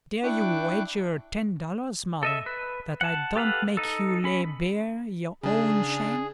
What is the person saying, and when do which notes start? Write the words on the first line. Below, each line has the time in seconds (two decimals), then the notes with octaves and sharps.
'Dare you wager ten dollars, mother, that I don't make you lay bare your own shame?'
0.24 D4 E4 G5 C#6 D6 F#6
2.23 A4 D#5 E5
2.46 B4
3.01 F#5 A5
3.36 G4 A4 B4 F5 F#5
3.77 D#4 A4
4.24 C#4 B5
5.43 C#3 D4 G#4